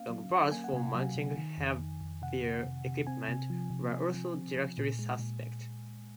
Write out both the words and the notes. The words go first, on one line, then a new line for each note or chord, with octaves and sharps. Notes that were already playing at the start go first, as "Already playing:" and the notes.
Long bolts for mounting heavier equipment were also directly suspect.
Already playing: A#3 C#4 F5
F#3
F#3
A#3 G#5
F#5
C3 G#5
F#3
C3
D#3
F2
D#3
F2
C3 F#5
C3
C3
C3
C4 G#5
C3
F3
C3
F3
F3
C4
F3
A#2
G#3
A#2